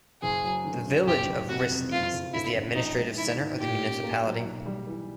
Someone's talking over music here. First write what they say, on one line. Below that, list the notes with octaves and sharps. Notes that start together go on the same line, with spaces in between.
The village of Rhisnes is the administrative centre of the municipality.
F#1 G#4
F#3
D3
F#2
F#1 G4
F#1
C3 F#4
F2
F#1 F4
F#1
D3 E4
F#2
A#1 D#4
G#3
D#3 E4
G#2
A#2 G4
C#4
A#3
F#3
B1
G3
E3